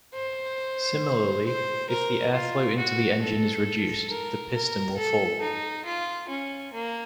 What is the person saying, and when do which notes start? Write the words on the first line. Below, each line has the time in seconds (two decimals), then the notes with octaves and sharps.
Similarly if the airflow into the engine is reduced, the piston will fall.
0.14 C5
1.45 C5
1.89 A#4
2.33 F4
2.77 F#4
3.21 A4
4.09 A#4
4.53 A#4
4.97 A4
5.41 D#4
5.85 F4
6.28 C#4
6.73 A#3